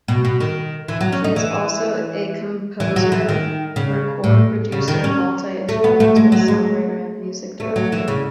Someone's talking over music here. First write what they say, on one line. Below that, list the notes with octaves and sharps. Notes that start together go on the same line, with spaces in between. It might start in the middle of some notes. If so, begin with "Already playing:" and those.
She is also a composer, record producer, multi-instrumentalist, songwriter, and music director.
B2
B2
D#3
E3
F#3
C#4
D#4
E3
E3
F#3
E3
D#3
C#3
A2
C#3
D#3
C#4
A3
B3
A3
G#3
F#3
G#3
A3
F#3
E3
C#3